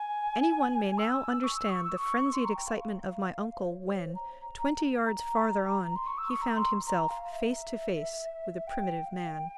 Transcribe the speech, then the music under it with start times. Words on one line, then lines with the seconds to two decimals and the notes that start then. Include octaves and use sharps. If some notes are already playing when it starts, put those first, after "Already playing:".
Any one may now understand the frenzied excitement of my uncle, when, twenty yards farther on, he found himself face to face with a primitive man!
Already playing: G#5
0.98 E6
1.43 C#6
1.56 E6
1.70 C#6
1.84 E6
1.97 C#6
2.33 C6
2.45 A#5
2.56 G5
2.67 F5
3.59 C5
3.70 C#5
3.81 C#5
3.92 C#5
4.04 C5
4.15 A#5
5.05 A#5
5.96 C6
6.06 C#6
6.18 E6
6.30 C#6
6.42 A#5
6.56 C6
6.87 A#5
7.09 F5
7.32 E5
8.67 G5
9.05 F5
9.12 G5